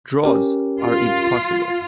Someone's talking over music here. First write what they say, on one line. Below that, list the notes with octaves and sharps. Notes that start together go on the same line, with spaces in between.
Draws are impossible.
C#4 G4 A#4
F4